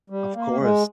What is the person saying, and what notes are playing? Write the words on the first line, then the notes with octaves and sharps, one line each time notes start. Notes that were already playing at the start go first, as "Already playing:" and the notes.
Of course,
G3
A#3
G#3